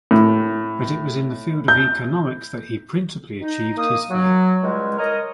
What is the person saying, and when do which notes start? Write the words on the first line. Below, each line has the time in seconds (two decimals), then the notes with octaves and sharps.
But it was in the field of economics that he principally achieved his fame.
0.11 A2
1.68 G6
3.41 D#4
3.76 A#3 D#6
4.10 F#3
4.63 C#2 G3 G#3
4.97 A#4 C#5 D#5